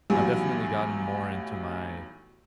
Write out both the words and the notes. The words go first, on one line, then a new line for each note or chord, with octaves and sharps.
And I've definitely gotten more into my,
B1 A2 E3 F#3 G3 G#5